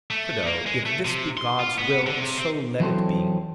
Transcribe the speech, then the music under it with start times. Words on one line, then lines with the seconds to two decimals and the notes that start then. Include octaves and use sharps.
Crito, if this be God's will, so let it be.
0.11 A3
0.47 A#3
0.66 G#3
0.86 A3
1.05 C3
1.37 C6
1.60 F4
1.79 B3
2.07 D3
2.19 C3
2.38 C4
2.80 E3 F#3 C4 C#4 A4 C5